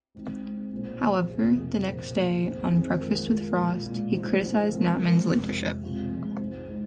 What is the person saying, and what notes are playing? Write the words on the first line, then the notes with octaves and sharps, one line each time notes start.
However, the next day, on "Breakfast with Frost", he criticised Knapman's leadership.
G#3 C4 D#4
G#3 C4 D#4
A#2 A#3 F4 G#4 C5
A#2 A#3 F4 G#4 C5
F2 C3 F3 A#3 G#4
F2 C3 F3 A#3 G#4
A#2 A#3 G#4 C5
A#2 A#3 G#4 C5
F2 D#3 C4 G#4 C5
F2 D#3 C4 G#4 C5
G#3 F4 A#4
G#3 F4 A#4
A#2 G#3 F4
A#2 G#3 F4
F3 G#3 D#4 C5
F3 G#3 D#4 C5
F3 G#3 C4 F4 A#4
F3 G#3 C4 F4 A#4
F2 C3 G#3
F2 C3 G#3
F2 C3 G#3 F4 G#4
F2 C3 G#3 F4 G#4
G#2 G#3 D#4 C5
G#3 D#4